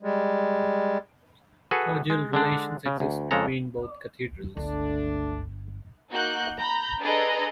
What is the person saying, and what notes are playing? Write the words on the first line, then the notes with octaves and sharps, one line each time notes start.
Cordial relations exist between both cathedrals.
G3 G#3
F#4 G#4 A4 B4
G#3
D3 G#3 D4
C#3
D2
F2 C#3 G#3 A4 A#5
G1 C#2 D3 A3 D4
A#3 D#4 F#4 F#6 G6
A#5 B5 G6 A#6
D4 G#4 A4 B4 D#5 A#5